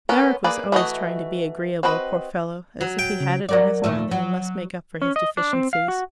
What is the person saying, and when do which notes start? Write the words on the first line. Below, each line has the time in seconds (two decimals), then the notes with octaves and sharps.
Marek was always trying to be agreeable, poor fellow, as if he had it on his mind that he must make up for his deficiencies.
0.09 B3 C#4 A#4 B4
0.44 A#3 G#4 B4 D5
0.72 E3 A3 F#4 D#5
1.83 C4 F#4 B4 D#5
2.81 F#3
2.99 G5
3.20 C#3
3.49 F#3 A#4 D5
3.84 D#2 A#2 A3
4.11 F#3
5.02 C#4
5.16 D#5
5.37 D4
5.53 C4
5.73 F5
5.88 F#4